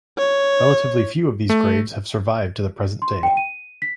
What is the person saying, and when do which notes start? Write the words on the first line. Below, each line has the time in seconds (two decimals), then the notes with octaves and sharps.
Relatively few of these graves have survived to the present day.
0.18 C#5
1.50 A3
3.02 C6
3.23 G5
3.37 D#7
3.82 B6